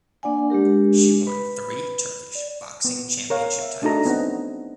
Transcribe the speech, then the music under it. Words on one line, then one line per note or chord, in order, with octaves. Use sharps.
She won three Turkish Boxing Championship titles.
A#3 D4 D5 F#5 G#5
G#3 D4 G4 A#4
B4 B5
D5
B3
A#4 C#5 F5
E5
A3 D4 D#4 F#4 A4 A#5
B3 C4 D#4 F#5